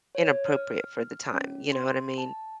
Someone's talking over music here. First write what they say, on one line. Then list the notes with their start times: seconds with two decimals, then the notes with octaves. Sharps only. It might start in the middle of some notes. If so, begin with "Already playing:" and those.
inappropriate for the time. You know what I mean?
0.15 C#5
0.46 F6
1.33 C#4
1.72 C6
2.18 A5